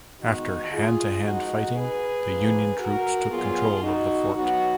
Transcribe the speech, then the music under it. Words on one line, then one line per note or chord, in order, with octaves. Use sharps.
After hand-to-hand fighting, the Union troops took control of the fort.
D#2 D#3 G#3 B3 D#4 F#4
F4 G#4
F2 F3 G#3 D#4 F#4
G#4 B4
G#2 F3 A#3
F#4 A#4
A#2 F#3 B3 F4 G#4
D#4 F#4
B2 F#3 B3 D#4 F#4